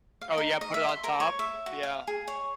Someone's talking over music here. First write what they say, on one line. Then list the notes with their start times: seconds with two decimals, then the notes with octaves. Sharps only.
Oh yeah, put it on top? Yeah.
0.21 F5
0.38 D#4
0.61 D#5
0.74 E5
0.89 C6
1.04 A#4
1.20 C#5
1.39 E5
1.66 F#4
1.83 F5
2.07 G#4
2.28 C#5